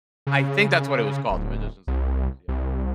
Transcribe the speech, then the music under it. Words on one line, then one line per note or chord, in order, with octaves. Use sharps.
I think that's what it was called, "The Magician's Apprentice." Yes,
C#3
D1
C2
C2